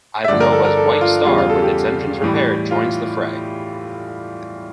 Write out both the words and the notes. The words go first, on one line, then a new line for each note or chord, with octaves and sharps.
Ivanova's "White Star", with its engines repaired, joins the fray.
E5
G2 D3 F3 D5
A#4
A4
A#4
A4
F4
E2 C#3 G3 F4
F4
A4
G4
A2 E3 G3
F4